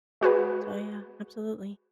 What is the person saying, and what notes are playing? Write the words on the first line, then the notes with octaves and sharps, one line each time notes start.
So, yeah, absolutely.
G#3 F#4 G#4 B4